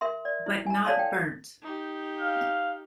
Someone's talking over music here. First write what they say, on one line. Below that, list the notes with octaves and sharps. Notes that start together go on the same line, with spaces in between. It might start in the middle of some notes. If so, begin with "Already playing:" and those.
But not Bernt.
A#4 E5 C6
D5
E4
G#5 A#5
A4 C#5 D5 F5 A5 C6
G5
D#4 G4
F5